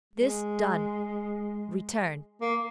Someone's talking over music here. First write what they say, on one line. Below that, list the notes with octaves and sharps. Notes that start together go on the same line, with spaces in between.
This done, return.
G#3
A#3